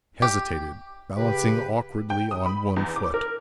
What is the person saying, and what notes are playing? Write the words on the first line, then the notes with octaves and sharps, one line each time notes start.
He hesitated, balancing awkwardly on one foot.
G4
C#3 G4 B4
G5
D#6
B5
E2
D6
A#4